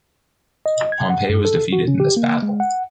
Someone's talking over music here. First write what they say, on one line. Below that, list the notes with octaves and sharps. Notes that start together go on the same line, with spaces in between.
Pompey was defeated in this battle.
D#5
G#6
F#5
G2
A4
F#4
C#4
G4
A#3
G#3
F#5